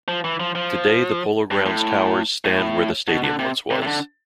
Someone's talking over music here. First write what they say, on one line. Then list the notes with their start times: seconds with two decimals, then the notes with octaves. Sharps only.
Today the Polo Grounds Towers stand where the stadium once was.
0.08 F3
0.24 E3
0.40 F3
0.55 F3
1.51 G2
1.66 A2
2.45 A2
3.08 B2
3.23 D3
3.39 C3
3.71 C3
3.82 C3
3.87 D3